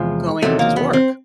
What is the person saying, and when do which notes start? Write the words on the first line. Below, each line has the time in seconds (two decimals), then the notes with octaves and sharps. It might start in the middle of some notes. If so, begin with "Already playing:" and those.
going to s work.
Already playing: E2 C3 F3 G#3
0.42 E2 C3 D#3 F#3 A3
0.59 A#3
0.76 B3
0.93 C4